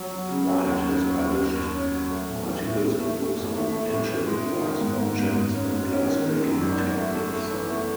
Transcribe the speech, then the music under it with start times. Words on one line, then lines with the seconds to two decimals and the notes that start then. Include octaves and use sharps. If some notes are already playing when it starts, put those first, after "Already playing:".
Wight has published articles and books on ancient glass objects and glass making techniques.
Already playing: F#3
0.11 F#3
0.29 C#3
0.48 F#3
0.66 D#2
0.83 C#3
1.02 F#3
1.19 D#2
1.37 D#2
1.55 D#2
1.73 C#4
1.91 F#3
2.10 A3
2.27 A2
2.46 E3
2.64 A2
2.81 A2
2.99 A3
3.18 A3
3.36 A1
3.55 A3
3.71 A3
3.90 A2
4.08 E3
4.27 G#3
4.44 D#3
4.61 D#3
4.81 G#2
4.98 G#2
5.16 G#2
5.34 G#2
5.52 C#4
5.70 G#2
5.89 C#4
6.06 D#3
6.25 D#3
6.42 F#2
6.60 G#1
6.78 G#1
6.97 A3
7.14 A3
7.32 A3
7.51 E3
7.69 A3